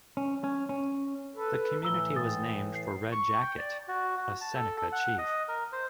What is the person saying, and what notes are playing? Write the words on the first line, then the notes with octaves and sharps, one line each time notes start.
The community was named for Red Jacket, a Seneca chief.
C#4
C#4
C#4
A4 B4
A2 E3 A#5 E6 G7
D#6 A6
C7
C#6
G5
D5
F#4
F#4
A5
A4
A4
F#5
D#5
A#4
C5